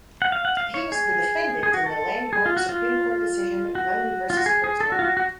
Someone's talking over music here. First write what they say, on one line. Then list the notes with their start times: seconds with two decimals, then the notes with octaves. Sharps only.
He was the defendant in the landmark Supreme Court decision "Lemon versus Kurtzman".
0.22 F#5
0.32 F5
0.45 F#5
0.57 F5
0.74 C#5
0.92 G#4
1.63 G#4
1.74 F#4
1.86 A4
2.33 G#4
2.46 F4
2.57 F#4
2.69 F4
3.75 F#4
4.30 F4
4.37 F#4
4.46 G#4
4.64 G#4
4.80 A4
4.92 F#4
4.99 F4
5.05 F#4
5.17 F#4